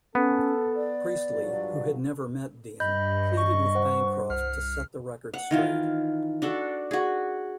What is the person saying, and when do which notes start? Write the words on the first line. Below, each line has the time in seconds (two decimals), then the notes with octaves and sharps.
Priestley, who had never met Deane, pleaded with Bancroft to set the record straight.
0.15 B3 C#4 A4
0.76 D5
1.32 G2 F3 F#3
2.80 G2 D#5 B5 G6
3.37 C#6
3.75 C5 F#5
4.30 C2 F6
5.34 F#5
5.51 D#3 E3 F4
6.42 D4 F#4 A4
6.91 F#4 G#4